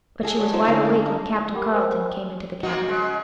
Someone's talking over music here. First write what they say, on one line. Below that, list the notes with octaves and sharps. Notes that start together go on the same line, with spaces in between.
But she was wide awake when Captain Carleton came into the cabin.
G#4 A4 F#5
G3 C#5
F3 D#4 C5 C#5
D3 C#4 E4 D#5
A4
D#4
G4 A#4 F#5 G5 B5 D6
A#4 C5 G5 G#5 E6
A#3 C4 D#4 F#4
C#3 G#3